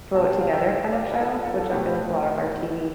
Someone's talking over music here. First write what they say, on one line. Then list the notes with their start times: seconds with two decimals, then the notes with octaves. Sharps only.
throw it together kind of show, which I feel like a lot of our TV
0.14 C2 B2 G3 A5
0.27 G5
0.41 F5
0.53 E5 G5
0.92 D5 F5
1.11 B4
1.18 F4 A4
1.44 F4 A4
1.71 B2 A3 G4 B4